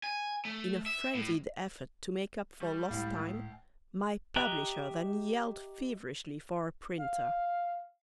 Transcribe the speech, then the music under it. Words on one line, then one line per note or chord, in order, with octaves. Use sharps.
In a frenzied effort to make up for lost time my publisher then yelled feverishly for a printer.
G#5
A3
E5
A2
G3 C#6
C#2 A2 E4 F5
G4 D#5 E5 A#5 F#6
F5